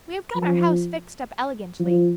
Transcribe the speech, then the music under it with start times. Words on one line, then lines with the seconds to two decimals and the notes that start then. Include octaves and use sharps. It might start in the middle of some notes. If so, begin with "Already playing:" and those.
We have got our house fixed up elegantly.
0.35 F3
1.79 F3